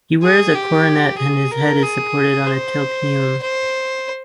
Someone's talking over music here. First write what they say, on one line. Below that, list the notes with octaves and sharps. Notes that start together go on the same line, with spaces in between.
He wears a coronet and his head is supported on a tilt-heaume.
G#4
G4
G#4
A#4
G#4
C5
C5